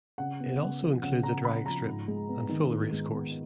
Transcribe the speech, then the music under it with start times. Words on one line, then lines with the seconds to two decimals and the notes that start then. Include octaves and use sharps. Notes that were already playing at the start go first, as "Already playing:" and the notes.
It also includes a drag strip and full race course.
0.18 C#3 F#5
0.40 B3
0.61 C#3
0.82 F3
1.03 C#3 F#5
1.23 B3 A#5
1.45 C#3 B5
1.66 F3 A#5
1.86 G#2
2.08 G#3
2.29 B3
2.49 D#3
2.70 G#2
2.92 G#3
3.13 B3